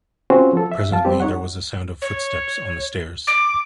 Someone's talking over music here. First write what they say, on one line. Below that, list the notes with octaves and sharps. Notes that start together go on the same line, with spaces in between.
Presently there was a sound of footsteps on the stairs.
C4 C#4 F4 F#4 G#4 C5
F3 A4
E5
F2 F5 A5
G3 C4 G4
D#4 C#5 F#5
C#5
D6